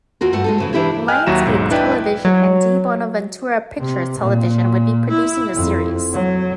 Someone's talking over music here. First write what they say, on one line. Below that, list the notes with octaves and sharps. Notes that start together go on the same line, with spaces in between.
Lionsgate Television and Di Bonaventura Pictures Television would be producing the series.
D#2 F4 F#4 A#4
G2 A3 F#5
G#3 D#4 A4
F2 C#3 E3
E3 D4 E4 G4 C#5
D#5 G5 G#5 F6 F#6
D#2 F#3 F#4 E5 A#5 E7
B1 G#2
D4 E4 B4 D5 D#5 G5
F#3
C3
A#2
E4
F2
F#3